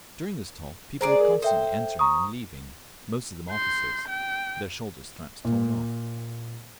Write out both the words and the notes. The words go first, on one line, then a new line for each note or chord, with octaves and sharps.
During this talk people were constantly entering and leaving--most of them officers, their shoulder-straps torn off.
G#3 G#4 C5 D5 A#5 D7
A#4
A4 C5 E5 G5
A#5 C#6 D#6
C6 G6
G5
A#2